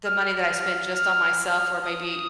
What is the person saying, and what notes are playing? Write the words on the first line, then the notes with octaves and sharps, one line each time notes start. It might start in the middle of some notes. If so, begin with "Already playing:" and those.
the money that I spend just on myself where maybe
F6
F6
D#6